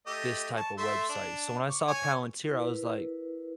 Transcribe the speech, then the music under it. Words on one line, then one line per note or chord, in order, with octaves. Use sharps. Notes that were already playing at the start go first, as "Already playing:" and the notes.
this type of website, so when I saw Palantir, I was like
A3 G4 D#5
A5 C#6
A3 E5 C6
D4
C#6 D6
C#5 G#5 C#6
E4 A#4 B4